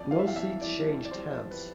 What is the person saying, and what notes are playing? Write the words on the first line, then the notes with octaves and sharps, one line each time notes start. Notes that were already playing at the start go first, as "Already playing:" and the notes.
No seats changed hands.
Already playing: F2 D5
E3 G3 F5
E5
F5
F2 E5
E3 G3 D5
F2
D5
E3 G3 C5
F2
B4